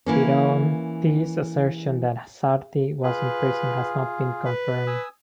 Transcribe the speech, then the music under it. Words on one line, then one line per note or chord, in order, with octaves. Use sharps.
Pironti's assertion that Sarti was in prison has not been confirmed.
E3 A#3 C#4
F4 G#4 B4
B4
G#5 D#6 E6